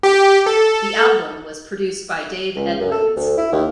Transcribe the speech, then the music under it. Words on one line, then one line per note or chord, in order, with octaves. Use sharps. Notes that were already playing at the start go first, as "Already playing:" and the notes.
The album was produced by Dave Edmunds.
G4
A4
C#2
F#2
A4
D2
E4
D#2